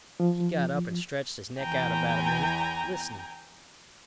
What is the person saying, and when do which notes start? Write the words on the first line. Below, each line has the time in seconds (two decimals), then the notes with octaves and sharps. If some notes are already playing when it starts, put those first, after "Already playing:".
He got up and stretched his neck out about a minute, listening.
0.20 F3
1.59 E2 E3 G5 G#5 A#5